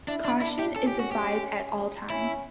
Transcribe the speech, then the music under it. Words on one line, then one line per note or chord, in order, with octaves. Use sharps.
Caution is advised at all times.
D4 E4
D4
D4 E4
G4
C#4 A4
G4
F#4
G4
C#4 E4